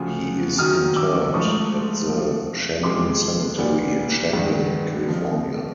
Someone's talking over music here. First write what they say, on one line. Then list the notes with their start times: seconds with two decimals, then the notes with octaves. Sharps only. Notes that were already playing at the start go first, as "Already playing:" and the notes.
He is interred at the Shandon Cemetery in Shandon, California.
Already playing: D2 C#3 F3
0.58 F#2 D#3 F#3 D#6 F6
0.96 D6 E6
1.34 G#2 F3 A3 C#6 D#6
2.09 E2 C3 F3
2.83 F2 C3 F3 G#3 C6 D6
3.58 A#2 G3 B3
4.33 G2 D#3 G#3 B3
5.08 F2 C3 F3